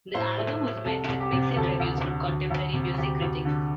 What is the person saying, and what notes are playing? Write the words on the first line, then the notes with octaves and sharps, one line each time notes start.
The album was met with mixed reviews from contemporary music critics.
A2 C5
A3
A3
C2 A4
C2
G4
C3
D2 A4
D2
D3
D2
D2
C3
D2 G4
D2
D3